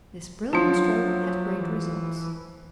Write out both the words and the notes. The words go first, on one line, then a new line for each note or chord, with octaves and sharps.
This brilliant stroke had great results.
F3 F#3 D4 F4
E3